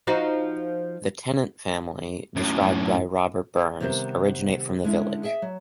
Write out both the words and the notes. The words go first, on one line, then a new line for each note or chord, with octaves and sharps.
The Tennant family, described by Robert Burns, originate from the village.
F3 D#4 F#4
F#2 A2
C3 D#3 G3 B3 A#4 C5
D3 G#3 C#4 E4
G#4 D#5 E5
F#3